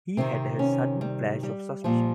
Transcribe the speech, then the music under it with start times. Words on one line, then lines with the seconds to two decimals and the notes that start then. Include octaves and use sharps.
He had a sudden flash of suspicion.
0.17 C3 D#3 C4
0.59 C#4
1.01 G3
1.43 G3
1.84 A#2 F3